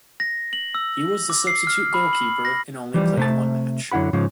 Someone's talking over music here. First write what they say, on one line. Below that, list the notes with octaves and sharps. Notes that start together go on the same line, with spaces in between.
He was the substitute goalkeeper and only played one match.
A#6
F#7
E6
D6
C7
F6
B5
F#7
A#6
E3 F3 G3
C3 A3 A5
F#2 D3 E4 F#5 B5
G#2 C#3 F3